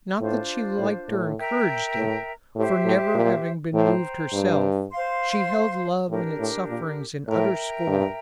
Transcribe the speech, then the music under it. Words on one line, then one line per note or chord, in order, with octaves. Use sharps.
Not that she liked or encouraged it; for, never having been moved herself, she held love and its sufferings in utter scorn.
A2 D4 F4 C5
A2
A2
A#4 E5 G5 A#5
A2
A2 G4 C5 E5
A2
A#2
A2 C5 G5 A#5
G2
C5 F5 C6
A2 D4 G4 A#4
A2
A#2
A2 A#4 E5 G5 A#5
G2